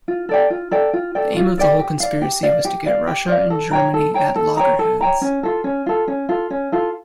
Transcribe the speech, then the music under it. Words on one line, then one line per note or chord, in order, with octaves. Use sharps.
The aim of the whole conspiracy was to get Russia and Germany at loggerheads.
F4
A4 D5 G5
F4
A4 D5 G5
F4
A4 D5 G5
F4
A4 D5 G5
G4
D5 F5
G4
D5 F5
G4
D5 F5
G4
D5 F5
A4
C#5 G5 A#5
A4
C#5 G5 A#5
A4
C#5 G5 A#5
A4
C#5 G5 A#5
C#4
F4 A4
C#4
F4 A4
C#4
F4 A4
C#4
F4 A4